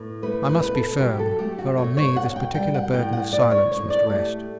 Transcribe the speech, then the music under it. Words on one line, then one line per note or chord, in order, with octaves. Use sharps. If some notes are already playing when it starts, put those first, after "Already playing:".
I must be firm, for on me this particular burden of silence must rest.
Already playing: A2 B3
A3 B4
B4
B2 B4
A4
F#3 G4
A4
A3 G4
F#4
A3 C#5
C#5
B2 F#5
G5
G3 G5
F#5
A2 G5
F#5
A2 D5
C#5
A2 C#5
D5
A3 G4